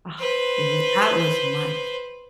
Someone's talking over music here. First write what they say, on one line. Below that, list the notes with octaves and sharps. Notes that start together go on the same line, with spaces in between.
Ah, dude that was my
B4 C5